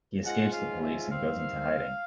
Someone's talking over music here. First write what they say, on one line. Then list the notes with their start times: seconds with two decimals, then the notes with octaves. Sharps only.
He escapes the police and goes into hiding.
0.24 G#2 F3 G#3 C#4 F4 F#5
0.53 F5
0.81 E5
1.10 D#3 G3 C4 F5